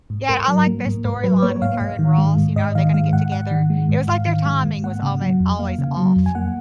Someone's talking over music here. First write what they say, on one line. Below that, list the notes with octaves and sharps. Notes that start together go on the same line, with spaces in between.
Yeah. I like the storyline with her and Ross, you know, are they gonna get together? It was like their timing was almo always off.
G#2
G#2 A#4
F#3
A#3
G#2
G#2 B4
F#3 B4
A#3 C#5
G#2 F5
G#2 F5
D#3
G#3
G#2
G#2 D#5
D#3 F5
G#3 F5
G#2 F#5
G#2 F#5
D#3
G#3
G#2
G#2 F5
D#3
G#3
G#2
A#3 F#5
C#3
F#3
F2
A#3 F5
C#3
F#3
F2
G#5
A#3 F#5